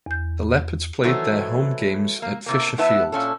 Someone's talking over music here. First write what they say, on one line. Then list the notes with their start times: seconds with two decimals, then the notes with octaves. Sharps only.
The Leopards played their home games at Fisher Field.
0.06 E2 G6
1.03 D#3 E3 F#3 A3 C5
2.22 A#3
2.46 A2 C3 A#3
2.78 E2 B3 E4 B4 E5 A5
3.12 A#2 C#4 A4